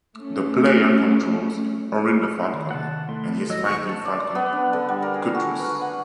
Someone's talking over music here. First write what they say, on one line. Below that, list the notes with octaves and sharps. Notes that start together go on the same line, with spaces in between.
The player controls Orin the Falconer and his fighting falcon Cutrus.
A3 C#4
D#3
C3 D#3 F#5 A5
A3 E4 C6
D1 F#3 A3 C#5 D#5 E6
D#3 F#4 C#6
A5
D5
B3
D4
D3
G3
A#4
G#4
F#4
B4
F#5